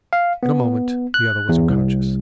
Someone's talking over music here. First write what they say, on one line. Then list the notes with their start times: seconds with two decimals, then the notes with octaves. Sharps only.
In a moment the other was unconscious.
0.13 F5
0.43 B3
1.14 F#6
1.49 E2
1.69 C2